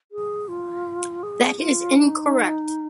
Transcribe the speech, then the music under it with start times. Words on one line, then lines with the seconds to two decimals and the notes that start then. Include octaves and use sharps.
That is incorrect.
0.12 G#4
0.48 F4
1.23 G#4
1.59 F4
1.96 D#4